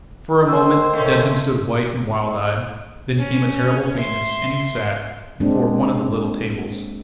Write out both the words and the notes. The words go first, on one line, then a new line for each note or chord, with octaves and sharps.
For a moment Denton stood white and wild-eyed; then came a terrible faintness, and he sat before one of the little tables.
D#3 C5 E6
A3 C#4
C#4
E5 C6
G#3 A#3 C4 D4